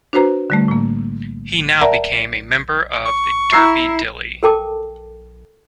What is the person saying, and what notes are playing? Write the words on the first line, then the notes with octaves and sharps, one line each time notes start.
He now became a member of the Derby Dilly.
D4 F#4 B4 C5 A#5
D3 G3 A3
A2 A#3
A#4 D5 E5 F#5 A5 A#5
C#6
E4 A#5 E6 C7
A4 A#4 G5 A5 D6